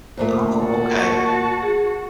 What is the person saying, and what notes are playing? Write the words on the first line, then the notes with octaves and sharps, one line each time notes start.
Oh, okay.
D#2 A#2 A3 C5
F#4 A5
G#4